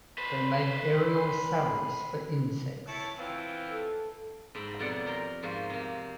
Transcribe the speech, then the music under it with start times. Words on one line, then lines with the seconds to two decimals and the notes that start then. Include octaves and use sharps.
They make aerial sallies for insects.
0.18 B4 C5
2.88 E4 C#5 A5
3.18 E3 C4 F4
3.70 A4
4.55 G#2 E5 G5 A#5 B5
4.79 F2 B2 F#3 D5 F#5
5.06 G4 A#4 A#5 C6
5.42 G#2 F3 A#3 F#4 C5
5.70 C3 A#3